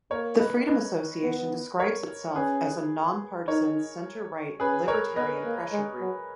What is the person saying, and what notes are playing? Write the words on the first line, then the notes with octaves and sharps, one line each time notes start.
The Freedom Association describes itself as "a non-partisan, centre-right, libertarian pressure group".
A#3 A#4 C#5
B4 D#5
B4 D#5
B3
A#4 C#5
C#4 G#4 B4
D#4 A#4 C#5
C#4 G#4 B4
A#4 C#5
B3 B4 D#5
A#3
G#3
F#3